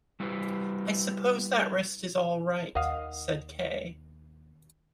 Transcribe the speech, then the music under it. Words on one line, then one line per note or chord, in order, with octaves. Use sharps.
"I suppose that wrist is all right," said K..
G3 E4 G4 B4
D#2 A#4 D#5 F5 F#5 D#6